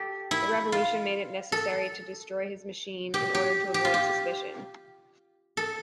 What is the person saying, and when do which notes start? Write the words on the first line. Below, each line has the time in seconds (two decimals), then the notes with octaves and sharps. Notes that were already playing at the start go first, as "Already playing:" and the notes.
The Revolution made it necessary to destroy his machine in order to avoid suspicion.
Already playing: G4 A4
0.31 E4
0.72 F4
1.52 A4
3.14 G4
3.35 G4
3.74 G4
3.85 F4
3.94 G4
5.57 A4